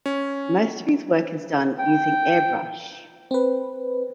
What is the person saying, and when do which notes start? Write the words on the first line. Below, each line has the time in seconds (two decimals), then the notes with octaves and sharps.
Most of his work is done using airbrush.
0.06 C#4
1.79 G5
3.31 C4 B4